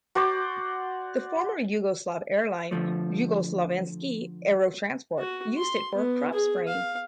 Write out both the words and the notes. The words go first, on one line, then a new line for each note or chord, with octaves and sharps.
The former Yugoslav Airline, Jugoslovenski Aerotransport, used it for cropspraying.
F#4 C5 D5
D3 E3 F3 A3
F#4
C6
B3
G#4
F5